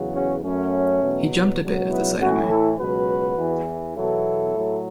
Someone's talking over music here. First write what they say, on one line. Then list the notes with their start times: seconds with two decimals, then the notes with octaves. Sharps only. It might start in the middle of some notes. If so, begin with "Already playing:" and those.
He jumped a bit at the sight of me.
Already playing: E2 C#3 F#3
0.13 C#4 F#4
0.42 F#2 F#3 A3 C#4
1.01 E2 B2 F#3
1.61 C#2 B2 F#3
1.89 B3 E4
2.18 A2 E3 C#4 F#4
2.48 E4 A4
2.77 C#2 B2 F#3 F#4 B4
3.37 E2 E3
3.96 E2 B2 F#3 E4 A4
4.55 A2 F#3